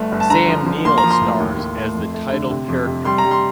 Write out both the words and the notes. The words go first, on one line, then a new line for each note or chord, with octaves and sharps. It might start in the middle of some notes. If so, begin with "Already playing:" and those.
Sam Neill stars as the title character.
Already playing: G1 A3
G1
A5
D3 A#5
F3
F3
A#3 C6
A#5
F3
C6
A2
D#2
D#2
A3
F2
A3
D3
C3
F2
C3
G3 C6
A#5
G3
C6